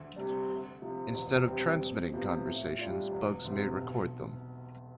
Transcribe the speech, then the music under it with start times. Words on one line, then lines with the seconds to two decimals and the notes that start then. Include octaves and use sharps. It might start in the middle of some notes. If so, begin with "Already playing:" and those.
Instead of transmitting conversations, bugs may record them.
Already playing: D2
0.16 C3 G3 D4
0.49 D2
0.82 C3 F3
1.14 E1
1.47 D2 C3 G3 C4
1.80 F2
2.13 C3 F3 B3
2.46 A2
2.79 G3 D4 F4
3.12 E1
3.45 D2 C3
3.77 B1